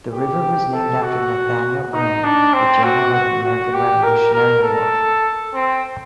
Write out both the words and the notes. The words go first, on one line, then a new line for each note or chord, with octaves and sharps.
The river was named after Nathanael Greene, a general of the American Revolutionary War.
G4
A4
F#4
D#4
D4
C4
F#4
F#4
F#4
G4
A#4
A#4
A4
C4